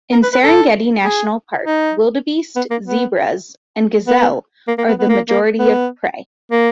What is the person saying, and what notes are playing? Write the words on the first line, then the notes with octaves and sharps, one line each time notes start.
In Serengeti National Park, wildebeest, zebras and gazelle are the majority of prey.
A#4
B4
B4
A4
G#4
D#4
B3
A#3
B3
B3
A#3
A#3
B3
B3
A#3
A#3
B3
A#3